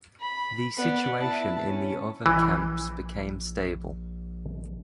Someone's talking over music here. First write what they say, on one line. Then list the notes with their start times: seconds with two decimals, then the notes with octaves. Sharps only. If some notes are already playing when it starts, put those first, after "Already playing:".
The situation in the other camps became stable.
0.20 B5
0.77 B3 D5
1.20 E4 A5
1.69 C#4
2.26 A#1 E3